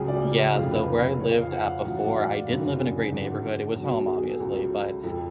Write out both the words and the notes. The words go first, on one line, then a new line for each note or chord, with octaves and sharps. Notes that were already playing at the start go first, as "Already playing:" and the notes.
Yeah, so where I lived at before, I didn't live in a great neighborhood. It was home obviously, but
Already playing: C#2 C#3 F#3 G#4
D5
F1 F2 C#3 F3 F5
B4
F2 F3 C#5
F5
F5
F#5
F5
A1 G#2 F#3 F#5
F#5
F5
D5
F5
F#1 F#2 D3
G#4
G#1 F#2 D3
B1 B2 F#3
G#4
G#4
A4
C#2 C#3 F#3
F2 F3 A4